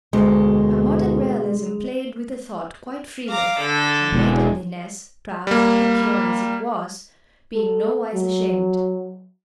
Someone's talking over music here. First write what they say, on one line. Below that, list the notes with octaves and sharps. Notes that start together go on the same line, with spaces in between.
Her modern realism played with the thought quite freely; her maidenliness, proud and pure as it was, being nowise ashamed.
D2 B2 G#3
F5 A#5 D6
D3 A4
E1 E2
G3 A#3
A4
F#3